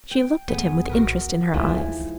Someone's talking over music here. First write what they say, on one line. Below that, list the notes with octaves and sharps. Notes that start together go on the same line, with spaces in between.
She looked at him with interest in her eyes.
G5
A1 E2 B3 G#4
A#1 F#4 A#4 B4
E2
D2 G#2 E3 F3
G#3